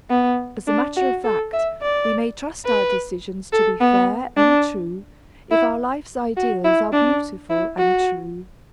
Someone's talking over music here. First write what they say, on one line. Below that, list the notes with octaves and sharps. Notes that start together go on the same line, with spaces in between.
As a matter of fact, we may trust our decisions to be fair and true if our life's ideals are beautiful and true.
B3
D4
F#4
A4
E5
D5
B4
A4
B3
D4
E4
F#4
E4
D4
E4
F#4